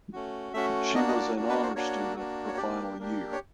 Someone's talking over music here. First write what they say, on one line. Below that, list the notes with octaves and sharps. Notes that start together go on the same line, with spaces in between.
She was an Honor Student her final year.
A3 C#4 F#4
A3 C#4 F#4 E5
A#3 D4 F#4 D#5
D#5
D5
A#3 D4 F#4
B4
C5
A#3 D4 F#4 C#5
A#3 D4 F#4
C#5
A#3 D4 G4 D5
A#3 D4 G4
C#5